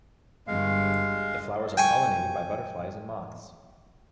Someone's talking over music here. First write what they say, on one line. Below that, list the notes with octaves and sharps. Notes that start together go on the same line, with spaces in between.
The flowers are pollinated by butterflies and moths.
G1 G2 G#3 F5
G5 G#5 C#6